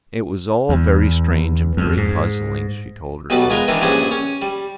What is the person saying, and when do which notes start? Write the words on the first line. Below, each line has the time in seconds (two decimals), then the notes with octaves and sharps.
It was all very strange and very puzzling, she told herself.
0.69 E2
1.77 F2
1.97 G#2
3.30 B1 B2 G3 B4 D5 A5
3.50 G#3 F4 A#4 B4
3.68 D#3 E3 D4
3.82 A#1 G2 C#4 D4 G#4 C5
4.11 C#4
4.42 G3